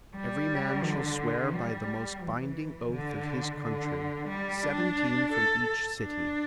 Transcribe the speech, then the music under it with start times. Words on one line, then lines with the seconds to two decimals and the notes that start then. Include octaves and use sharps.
Every man shall swear by the most binding oath of his country, seventeen from each city.
0.15 G3
0.84 D3
1.53 G3
2.22 E3
2.91 D3
3.60 D3
4.29 G3
4.63 D4
5.33 A4
6.01 D4